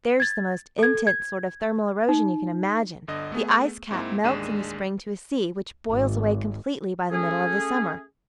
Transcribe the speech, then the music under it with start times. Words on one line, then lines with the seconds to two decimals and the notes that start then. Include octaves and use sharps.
There's the most intense sort of thermal erosion you can imagine--the ice-cap melts in the spring to a sea, which boils away completely by the middle of the summer.
0.20 G#6 A6
0.79 A4 G#6
1.07 G#6
2.09 D#4
3.08 G1 D3 D#5
3.32 A3 B3 G#4
3.91 G#2 A#3 C4 E4
4.23 A1 D#2 G#3 D4 D#7 E7
5.89 G#1
7.12 A3 C#4 G#4